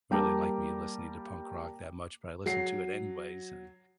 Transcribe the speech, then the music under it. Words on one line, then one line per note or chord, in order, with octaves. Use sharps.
really liked me listening to punk rock that much, but I listened to it anyways, and
G3 A#3 G5 A5 A#5 D6
F#3 C7